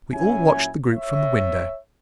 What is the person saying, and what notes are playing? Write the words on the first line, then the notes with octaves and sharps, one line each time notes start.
We all watched the group from the window.
A#2 F#3 C#4 E4 E5 G#5
C#5 E5